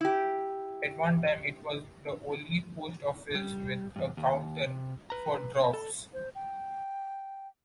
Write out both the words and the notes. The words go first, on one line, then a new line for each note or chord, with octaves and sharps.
At one time, it was the only post office with a counter for dwarfs.
E4 G4
G3
E2 G2
D#2
C3
B4 A#5
A4
C5
G5